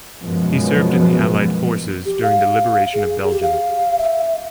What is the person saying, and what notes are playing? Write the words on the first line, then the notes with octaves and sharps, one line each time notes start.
He served in the Allied forces during the liberation of Belgium.
F#2 B2 F3 G#3 B3
G4
F5
G#4
G4
F5
E5